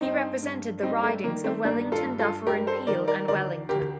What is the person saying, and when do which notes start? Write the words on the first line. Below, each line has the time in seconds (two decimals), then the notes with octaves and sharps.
He represented the ridings of Wellington-Dufferin-Peel and Wellington.
0.01 G2 C4 D#4
0.42 G2
0.83 G3 C4 D#4
1.03 A3
1.24 D#3 A#3
1.44 A3 C4
1.64 G2 A#3 D4
1.92 F4 A4
2.05 G2
2.19 F4 A4
2.47 G3 G4 A#4
2.67 A4 C5
2.87 D#3 A#4 D5
3.08 A#4 D5
3.28 D2 A#4 D5
3.69 D2 G4 A#4